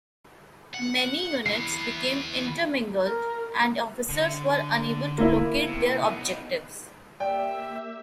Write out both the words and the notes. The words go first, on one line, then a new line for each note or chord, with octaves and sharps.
Many units became intermingled and officers were unable to locate their objectives.
F#5
E3 B3 C7
A#4
D3
A#3 E4
C3
B3 D#4
A#3 G4 D5 E5 G5